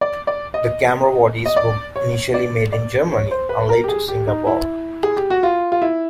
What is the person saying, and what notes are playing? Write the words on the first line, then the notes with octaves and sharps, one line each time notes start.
The camera bodies were initially made in Germany, and later, Singapore.
D5
D5
D#5
D#5
D5
C#5
D5
D5
C#5
C5
B4
A#4
G4
G#4
G4
D#4
E4
G#4
G4
F#4
F4
F4
E4